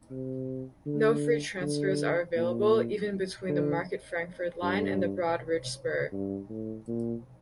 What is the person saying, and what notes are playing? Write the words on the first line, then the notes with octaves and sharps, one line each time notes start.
No free transfers are available, even between the Market-Frankford Line and the Broad-Ridge Spur.
C3
D3
D3
A#2
D3
G2
G2
A2
A#2